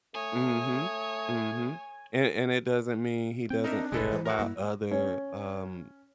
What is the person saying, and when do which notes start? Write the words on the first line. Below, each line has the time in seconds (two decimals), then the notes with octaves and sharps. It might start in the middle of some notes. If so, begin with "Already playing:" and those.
Mhm. Mhm. And and it doesn't mean he doesn't care about other, um,
0.15 A3 C#5 G#5 D#6
3.50 C4 G5
3.64 D4 D#4 A#4 E5
3.92 F1 A#1 G#3 A4 B4
4.12 E3 C5
4.25 F#4 A#4 C#5
4.39 G2 A#3 E4
4.91 C#4